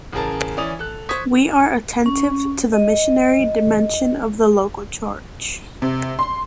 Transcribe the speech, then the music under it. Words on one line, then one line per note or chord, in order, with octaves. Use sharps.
We are attentive to the missionary dimension of the local Church.
A1 C#3 G#4 A#4 A5
E3 C#4 D5 D#6 F7
A4 F#6
C5 C#6 D#6 G#6 B6
C#4
D#5
C3
C6